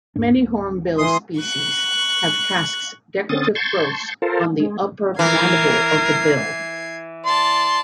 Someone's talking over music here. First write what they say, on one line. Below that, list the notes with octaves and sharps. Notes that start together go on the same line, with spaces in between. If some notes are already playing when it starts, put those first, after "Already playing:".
Many hornbill species have "casques", decorative growths on the upper mandible of the bill.
D#2 G#2 D4
D1
E3 C6 D#6
C#6 F#6
D3 C4 C#4 D#6 A6
A5 C6 C#6 G6 G#6
F4 A4 A#4 C5
G#3
E3 A#4 G#6 C7
D5 A5 C6